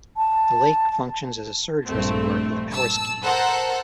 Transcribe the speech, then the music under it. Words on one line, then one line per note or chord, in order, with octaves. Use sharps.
The lake functions as a surge reservoir for the power scheme.
A5
A#1 G2 A3 C4
A5 E6
A4 A#4 C5 F#5